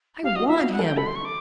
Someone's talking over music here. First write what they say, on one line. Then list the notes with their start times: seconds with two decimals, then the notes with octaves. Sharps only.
I want him.
0.23 G4 F5
0.35 F#4 D#5
0.47 F4 E5
0.59 F#4 F5
0.72 F#5
0.79 A4
0.85 G5
0.97 A4 B5
1.06 C6
1.15 C#6
1.25 D6